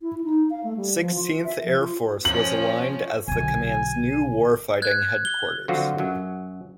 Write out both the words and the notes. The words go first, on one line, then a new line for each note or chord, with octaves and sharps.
Sixteenth Air Force was aligned as the command's new Warfighting Headquarters.
E4
D#4
F5
A3
G3
F3
F4
E5
F3
F4
F3 C#4 F#7
B1 D3 G#5
F#6 G#6
G7
D3 F3 F#3 C4 F4 F#4
F#2 F#3